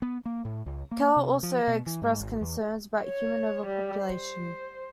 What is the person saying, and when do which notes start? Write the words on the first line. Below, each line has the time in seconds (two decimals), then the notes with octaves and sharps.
Keller also expressed concerns about human overpopulation.
0.02 B3
0.26 A#3
0.45 A2
0.66 C#2
0.91 A#3
1.16 C3
1.43 F3
1.68 B2
1.86 E3
2.02 G#2
2.20 G#1
2.41 E2
3.05 C#5
3.66 G3
4.04 C5